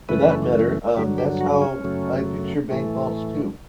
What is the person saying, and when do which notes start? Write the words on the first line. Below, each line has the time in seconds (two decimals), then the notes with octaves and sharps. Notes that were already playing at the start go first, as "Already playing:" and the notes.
For that matter, that’s how I picture bank vaults too.
0.09 F#2 C#3 E3 A3 B4
0.96 G2 D3 F#3 G4
1.18 G4
1.41 F#4
1.62 C#4
1.84 F#2 C#3 F#3 A3
2.71 A2 E3 A3